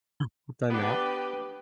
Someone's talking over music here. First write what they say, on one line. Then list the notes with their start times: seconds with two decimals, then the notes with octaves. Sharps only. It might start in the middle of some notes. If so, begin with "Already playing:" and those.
I've done that.
0.70 B3 D4 G4 B4